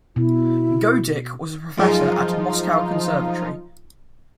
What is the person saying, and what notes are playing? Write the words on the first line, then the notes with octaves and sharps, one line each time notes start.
Goedicke was a professor at Moscow Conservatory.
B2 E4
F#2 F3 G#3 D#4 F4